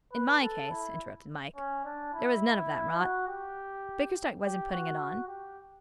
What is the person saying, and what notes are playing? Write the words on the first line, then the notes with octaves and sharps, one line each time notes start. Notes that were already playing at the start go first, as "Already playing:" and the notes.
'In my case,' interrupted Mike, 'there was none of that rot. Bickersdyke wasn't putting it on.
B4
A4
E4
C#4
D4
E4
F#4
G4
G4
F#4
G4